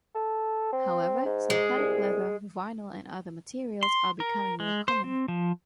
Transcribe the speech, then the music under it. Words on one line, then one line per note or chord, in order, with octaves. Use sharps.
However, synthetic leather, vinyl and other materials are becoming more common.
A4
C4
G#2
G#3
C2
C6
A#4
G#3
C5
C4
F3